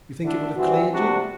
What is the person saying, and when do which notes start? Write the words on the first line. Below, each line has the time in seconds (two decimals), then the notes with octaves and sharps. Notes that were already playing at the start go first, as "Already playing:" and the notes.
You think it would have cleared you.
0.21 D3 A3 D4 E4
0.56 E3 G3 C4 F#4
0.90 C3 G3 D4 F#4